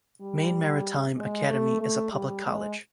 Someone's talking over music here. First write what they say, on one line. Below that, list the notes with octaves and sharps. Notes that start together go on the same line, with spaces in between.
Maine Maritime Academy is a public college.
G3
G#3
A3
A3
G3
G#3